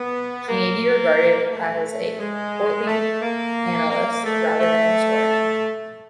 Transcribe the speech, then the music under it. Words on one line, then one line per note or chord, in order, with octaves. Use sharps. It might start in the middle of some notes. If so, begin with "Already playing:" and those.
He may be regarded as a courtly annalist rather than an historian.
Already playing: B3
A#3
A3
G#3
A3
A#3
A#3
A3
A3